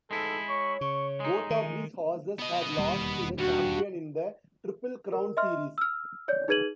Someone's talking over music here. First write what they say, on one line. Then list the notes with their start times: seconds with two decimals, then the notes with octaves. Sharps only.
Both of these horses had lost to the Champion in the Triple Crown series.
0.11 D2 G#2 G#3 E4 A4
0.49 C#5 C#6
0.81 C#3 C#6
1.20 G#3 D#4 G#4
1.50 D#3
2.39 B3 D#5
2.77 E1 D#2 G3
3.38 G2 F#4
5.12 A#4
5.37 D#5 E5 C6 F6
5.78 E6 F6
6.28 C#5 D5 G6
6.48 D#4 G#4 B4 G#6 D#7 F#7